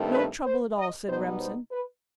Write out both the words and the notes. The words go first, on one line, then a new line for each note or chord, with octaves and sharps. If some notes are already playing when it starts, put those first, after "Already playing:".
"No trouble at all," said Remsen.
Already playing: G2 D#3 A3 C4
B4
C5
D#5
B2 G3 B3 D#4 C5
C5
B4